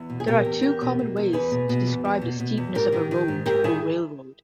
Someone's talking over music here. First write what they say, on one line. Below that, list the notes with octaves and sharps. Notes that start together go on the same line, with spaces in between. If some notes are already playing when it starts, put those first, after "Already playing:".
There are two common ways to describe the steepness of a road or railroad.
Already playing: E2
B2
G#4
B2 G4 A#4
E2
E2 G4 A#4
B2
B2
E2
E2 G#4 B4
B2
B2
E2
E2
B2
B2
E2
G#2 G4 A#4
D#3
D#3
G#2
G#2 G4 A#4
D#3 E4 G#4